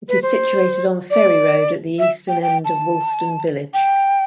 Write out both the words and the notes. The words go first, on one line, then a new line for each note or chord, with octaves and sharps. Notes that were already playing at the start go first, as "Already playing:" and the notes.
It is situated on Ferry Road at the eastern end of Woolston Village.
B4
C5
D5
E5
G5
G5
A5
G5